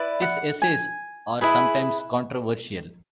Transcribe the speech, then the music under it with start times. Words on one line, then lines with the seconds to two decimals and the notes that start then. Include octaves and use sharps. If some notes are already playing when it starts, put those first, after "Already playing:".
His essays are sometimes controversial.
Already playing: E4 B4 D5
0.22 F#5
0.62 G#5
1.41 E4 G#4 B4